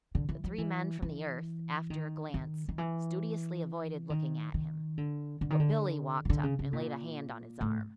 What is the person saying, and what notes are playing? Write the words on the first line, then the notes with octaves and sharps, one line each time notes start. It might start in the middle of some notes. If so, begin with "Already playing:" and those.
The three men from the earth, after a glance, studiously avoided looking at him; but Billie walked up and laid a hand on his arm.
D3
E3
F3
E3
E3
D#3
D#3
D#3
E3
D#3
D#3
D3
D3
D#3
D3
D#3
D3
C#3
C#3
A#2
A2